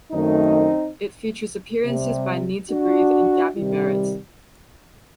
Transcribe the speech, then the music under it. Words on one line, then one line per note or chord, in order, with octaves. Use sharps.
It features appearances by Needtobreathe and Gabby Barrett.
F#2 D#3 A3 C4 D#4
C3 G3
D4 F#4
C3 D#3 G3